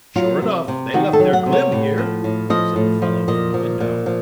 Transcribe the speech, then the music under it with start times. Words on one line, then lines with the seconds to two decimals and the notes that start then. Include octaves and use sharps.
"Sure enough, they left their glim here," said the fellow from the window.
0.16 F#3 F4
0.42 C3
0.68 C3
0.94 D#3 F#4
1.13 A4
1.20 F#3
1.33 F#5
1.46 C3
1.52 C#5
1.72 A2
1.98 F3
2.24 A2
2.50 F3 D#5
2.76 A2
3.02 F3
3.28 A#2 D#5
3.54 F3
3.80 A#2
4.06 F3